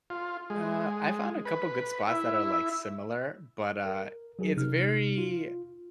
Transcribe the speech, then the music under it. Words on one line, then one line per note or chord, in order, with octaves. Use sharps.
Uh, I found a couple good spots that are, like, similar, but, uh, it's very
F4
G#3
B4
E4
A#4
F#3 F#4 G#4 A#4
C3 D#4 F6
F4